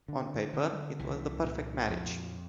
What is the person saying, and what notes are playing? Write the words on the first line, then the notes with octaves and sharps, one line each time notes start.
On paper it was the perfect marriage.
D3
D3
C2 E3
A#2
F2 F3